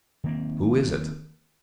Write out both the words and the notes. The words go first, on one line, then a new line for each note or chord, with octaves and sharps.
"Who is it?"
D#3 A#3 C4